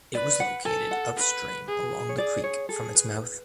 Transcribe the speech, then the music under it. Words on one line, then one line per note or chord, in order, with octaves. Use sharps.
It was located upstream along the creek from its mouth.
B4 D5
F#5
A4 G#5
F#5
B4
G#4
C#5
G#4 D5
C#5
G#4 A4
B4